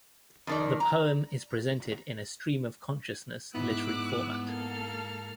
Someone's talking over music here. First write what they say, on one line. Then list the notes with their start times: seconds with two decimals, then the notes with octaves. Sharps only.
The poem is presented in a stream of consciousness literary format.
0.47 F2 D#3 D5
0.80 A#5
3.55 G#2 B3 E4 D6 E6 F#6
4.44 A#3 A4 F6